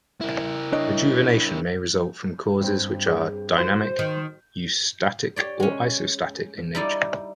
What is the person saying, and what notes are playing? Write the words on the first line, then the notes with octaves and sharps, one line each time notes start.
Rejuvenation may result from causes which are dynamic, eustatic or isostatic in nature.
E4 A#4
D4 C#5 D#5
G2 C4
G#4
F#4 C5 C6
D#3
G4 C#5 D5
G#3 C#4
G3 D#4 E4 D5